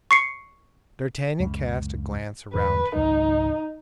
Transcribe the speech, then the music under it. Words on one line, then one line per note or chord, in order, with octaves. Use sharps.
D'Artagnan cast a glance around him.
C#6 C7 C#7
C#2 F#2
E2 G#2 D3 B4
G#1 C#2 F#3 D#4